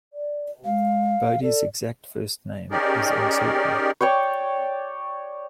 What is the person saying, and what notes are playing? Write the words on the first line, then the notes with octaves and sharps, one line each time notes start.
Bodey's exact first name is uncertain.
D5
G#3 F5
A4 D5
C#4 D#4 G4 G#4 A#4 D5
C#5 D5 G5 C#6